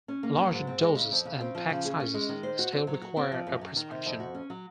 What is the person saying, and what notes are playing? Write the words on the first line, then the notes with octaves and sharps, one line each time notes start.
Larger doses and pack sizes still require a prescription.
C#4
A#3
F#3
G#2
C4
G#3
C#3
F2
C#3
C4
F3
C#3
G#4
C#4
G#3
D#3
C5
F#4
C4
F#3
F#4
C4
F3
F#2
F#3
D#3
C3
F2
F#4
C#4
F#3